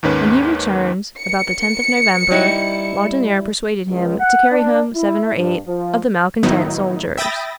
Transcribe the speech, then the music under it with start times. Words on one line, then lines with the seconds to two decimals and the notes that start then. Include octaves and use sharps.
When he returned, about the tenth of November, Laudonniere persuaded him to carry home seven or eight of the malcontent soldiers.
0.03 D#2 G#2 D#3 C#4 B4
1.19 C#7
2.31 G3 D#4 E4
3.89 C#2
4.18 F#5
4.51 D4
4.94 E4
5.36 G2
5.65 F3
6.43 A2 D#3 F#3 B3 D#4 E4
7.18 E5 G5 B5 D#6 A6 A#6